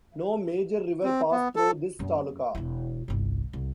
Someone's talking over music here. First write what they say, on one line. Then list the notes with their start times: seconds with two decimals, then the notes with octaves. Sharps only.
No major river pass through this taluka.
1.04 C4
1.32 B3
1.56 A4
1.99 F#2 A#3
2.55 E1 E4
3.08 G1 C2
3.53 C2